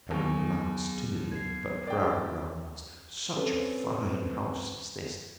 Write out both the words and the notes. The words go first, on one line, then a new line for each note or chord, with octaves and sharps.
Pegler glanced timidly but proudly round the walls—‘such a fine house as this.
D#2 F#3 B3 G#4 G#5 C#6
G#6 C7
A#4 D5 G5
C4 C#4 A4 B4